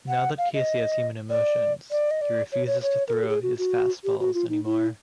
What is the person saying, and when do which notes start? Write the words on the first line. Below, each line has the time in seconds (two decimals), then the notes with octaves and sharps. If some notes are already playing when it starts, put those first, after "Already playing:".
Now that Casey has human emotions, he refuses to throw his fast balls anymore.
0.08 F#5
0.38 F5
0.54 D#5
1.30 D5
1.91 D5
2.11 D#5
2.21 D5
2.52 C#5
2.67 C#5
2.82 C#5
3.08 A#4
3.13 A4
3.23 G4
3.28 G#4
3.43 F#4
3.58 F#4
4.04 G4
4.20 F#4
4.34 F4
4.49 D#4
4.65 E4